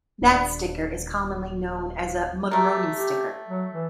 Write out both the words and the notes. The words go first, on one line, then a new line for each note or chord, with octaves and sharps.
That sticker is commonly known as a "Monroney sticker".
D#1 D4
A3 G4 A#4
G4
F#3
E3